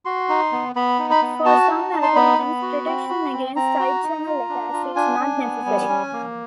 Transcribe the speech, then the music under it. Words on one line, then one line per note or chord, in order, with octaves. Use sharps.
For some algorithms protection against side-channel attacks is not necessary.
F#4 C6
D#4
B3
B3 B5
D#4
B5
B3
F#4 A5
D#4
D#4
C6
B3 B5
B3
F#4
C4
F#4
C4
C4 A#5
F#4
D#4
F4
D4
F4
D4 G#5
D4
B3
G3
C#4
A#3